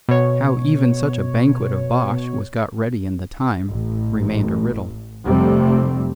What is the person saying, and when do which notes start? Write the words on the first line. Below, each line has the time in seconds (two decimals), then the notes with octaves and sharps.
How even such a banquet of bosh was got ready in the time remained a riddle.
0.08 B2 C#5
3.71 A1
5.25 F1 C3 G3 A3 C4